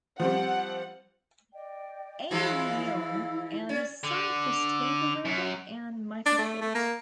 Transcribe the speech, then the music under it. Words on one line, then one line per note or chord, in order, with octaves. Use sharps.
A. Milne and his son Christopher Robin, and Michael Foot.
F3 G3 C4 F#5
D5 D#5 G5
E3 F3 G#3 E4 F5 B5 E6
C#4 D5
D3
F#2
D4
A3
A3
A#3